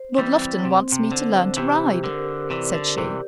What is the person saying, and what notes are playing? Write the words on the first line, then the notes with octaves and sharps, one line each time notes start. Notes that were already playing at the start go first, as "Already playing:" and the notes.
"Lord Lufton wants me to learn to ride," said she.
Already playing: C5
E3 G3 C4
C3 C4
C3
D3 C5
C3 E3 G4
D3 A#4
C3 E3 D5
D3
C3 E3 G4